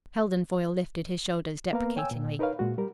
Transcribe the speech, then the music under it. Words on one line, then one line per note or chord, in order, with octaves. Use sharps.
Heldon Foyle lifted his shoulders deprecatingly.
A#3 B3 A#4 B4 F5 A#5
C#5 G5 G#5 E6
A#2
D#4 A#4 B4 C#5 F5
A#2 G#3 F#4
G3 G4 A#4